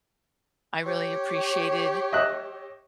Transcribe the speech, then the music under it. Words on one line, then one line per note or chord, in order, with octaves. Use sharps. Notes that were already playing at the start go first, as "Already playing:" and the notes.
I really appreciated,
G4 C#5
D#5 E5 F#6